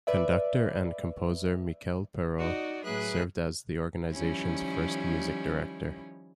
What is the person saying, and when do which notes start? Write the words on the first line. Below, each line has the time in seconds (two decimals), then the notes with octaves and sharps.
Conductor and composer Michel Perrault served as the organization's first music director.
0.07 B4 D5 E5
2.37 D#4 F#4 D5 D#5
2.84 A2 F#3 G#4 B4 E5 F#6
4.12 D#3 F3 G3 C#4 E4